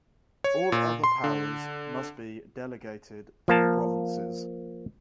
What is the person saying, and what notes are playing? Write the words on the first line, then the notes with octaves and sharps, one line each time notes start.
All other powers must be delegated to the provinces.
C#5
A#2
C6
D3
F3 A#3 A5